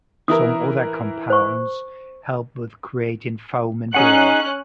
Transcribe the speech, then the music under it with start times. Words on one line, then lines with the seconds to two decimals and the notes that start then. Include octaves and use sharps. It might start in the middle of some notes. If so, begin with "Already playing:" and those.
Some other compounds help with creating foam in beer.
0.28 E3 E4 A#4 D#6
1.30 C5 C#6
3.94 C#4 D#4 G#4 F#5 F#6